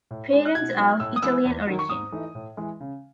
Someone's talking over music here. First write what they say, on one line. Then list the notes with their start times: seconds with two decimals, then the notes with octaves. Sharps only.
Parents are of Italian origin.
0.11 A2
0.33 G#3 D#4
0.45 F#6
0.54 B2 G#6
0.78 F#3 B3 D#4
1.00 A2 E6
1.16 D#6
1.23 E3 G#3 B3 E6
1.45 E2
1.67 D#3 F#3
1.79 C#6
1.89 G#2 D#6
2.12 E3 A3 D#4
2.35 A2
2.57 E3 G#3
2.80 C#3